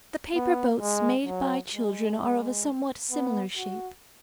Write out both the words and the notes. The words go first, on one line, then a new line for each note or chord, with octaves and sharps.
The paper boats made by children are of a somewhat similar shape.
B3
G#3
F#3
G#3
B3
F#4